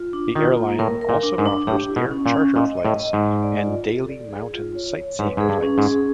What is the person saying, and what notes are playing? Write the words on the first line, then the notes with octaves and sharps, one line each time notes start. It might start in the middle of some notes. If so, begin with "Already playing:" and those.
The airline also offers air charter flights and daily mountain sightseeing flights.
Already playing: F4
D4
D#3 F4
A#3
A2 A#4
A#4
A#2
D4
G#2
D4
A2 G4
E4
B2
C#4
A#2
C#4
A#2 D#5
D#5
A2
D#5
G#2
D#5
D5
F4
A4
D5
G#4
F4
C#5
C#5
G#2 B4
G#2 G#4
G2
C#4
G#2
G#4